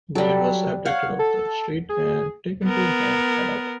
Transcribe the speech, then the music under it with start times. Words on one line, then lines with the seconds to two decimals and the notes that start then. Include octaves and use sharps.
William was abducted off the street and taken to a gang hideout.
0.15 F#3 G3 A4
0.85 C#5 F5 F#5
1.19 A4
1.89 G#4
2.65 B3 A#4